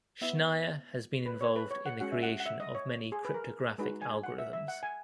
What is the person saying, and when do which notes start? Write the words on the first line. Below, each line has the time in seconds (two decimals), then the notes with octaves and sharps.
Schneier has been involved in the creation of many cryptographic algorithms.
0.21 B3 E4 E5
1.26 B4
1.41 C#5
1.56 B4
1.71 C#5
1.86 F#5
2.00 G#3 C#4 F#4 F#5
2.12 E5
2.23 F#5
2.40 F#5
2.46 E5
2.60 D#5
2.75 C#5
3.12 G#4
3.25 B4
3.34 A#4
3.78 G#3 D#4 F#4 B4
4.02 G#5
4.23 F#5
4.39 E5
4.53 E5
4.68 F#5
4.83 G#5